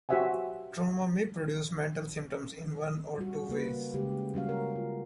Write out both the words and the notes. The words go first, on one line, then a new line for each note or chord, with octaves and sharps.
Trauma may produce mental symptoms in one of two ways.
F#4 G4 C5 E5 F#5 G#5
G3 F#4
C#3 A#3 B4
C#3 G#3 G4
G3 C#4 F#4 F5
A#4
F4